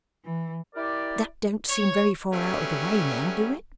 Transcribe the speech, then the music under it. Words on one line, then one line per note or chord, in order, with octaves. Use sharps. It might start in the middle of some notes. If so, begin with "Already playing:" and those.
That don't seem very far out of the way now, do it?'
E3
E4 G4 A#4 D5
C#5
F#3 G3 A3 B3 C#4